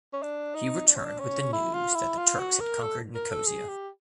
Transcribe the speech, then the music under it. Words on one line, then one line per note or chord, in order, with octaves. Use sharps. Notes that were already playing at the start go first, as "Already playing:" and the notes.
He returned with the news that the Turks had conquered Nicosia.
C#4
D4
D#4
D4
C#4
D4
C#4
E4
F4
E4
F4
F#4
A#4
A4
A#4
A4
G#4
G4